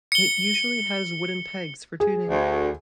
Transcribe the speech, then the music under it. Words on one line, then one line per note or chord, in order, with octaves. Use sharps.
It usually has wooden pegs for tuning.
C#7 G7
G#4
D2